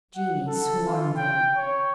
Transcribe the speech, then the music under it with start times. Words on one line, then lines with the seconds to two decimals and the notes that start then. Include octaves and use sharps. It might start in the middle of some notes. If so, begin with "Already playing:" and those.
Genii swarm there.
0.16 F#5
0.47 A4
0.87 F4
1.16 G5
1.57 C#5